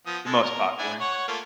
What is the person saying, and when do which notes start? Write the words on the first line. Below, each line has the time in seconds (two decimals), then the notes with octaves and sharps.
the most popular.
0.06 F3 B3 D#6
0.26 G#3 A4
0.43 A#4
0.79 D4 E4 G#5
1.01 C#5 F#5 C#6
1.28 A3 A#3 F4